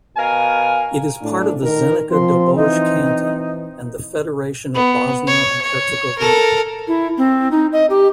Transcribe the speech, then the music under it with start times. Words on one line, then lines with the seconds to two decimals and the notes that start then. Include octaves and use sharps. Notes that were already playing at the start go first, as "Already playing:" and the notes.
It is part of the Zenica-Doboj Canton and the Federation of Bosnia and Herzegovina.
0.17 B2 A#4 F5 G#5
1.22 A2 D4
1.63 D#3 A#4
2.11 F3 C4 C6
2.55 E3 D#4
4.74 B3
5.27 C#5
5.62 C#5
6.18 A4 A#4
6.88 E4
7.18 C4
7.51 D#4
7.72 D#5
7.90 G4